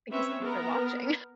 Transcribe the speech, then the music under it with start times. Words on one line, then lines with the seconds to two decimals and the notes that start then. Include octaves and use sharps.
Because they're watching.
0.11 C4 C#4 B4 C#5 E5
0.40 B3 A#4